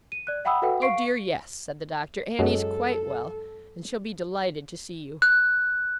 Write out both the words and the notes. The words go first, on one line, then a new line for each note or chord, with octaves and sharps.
'Oh dear, yes!' said the Doctor; 'Annie's quite well, and she'll be delighted to see you.
D#7
D5 F#6
E5 F#5 G5 B5 D#6 E6
F#4 A4 B4 E5 F#5 G5
F5 C#6 C7 D7
F#2 F#3 G#3 A4
F#6